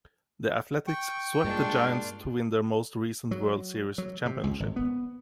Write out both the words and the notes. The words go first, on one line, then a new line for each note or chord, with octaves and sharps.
The Athletics swept the Giants to win their most recent World Series championship.
G5 C#6
G2 A#2 G#3 D4 F4
F#3
F#3
C3
C#2
G#1
B3